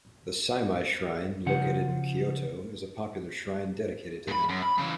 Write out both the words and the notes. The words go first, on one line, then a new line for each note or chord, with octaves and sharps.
The Seimei Shrine, located in Kyoto, is a popular shrine dedicated to him.
C#3 F3 F#5
G#2 B5
F#2
B5
C#3 E3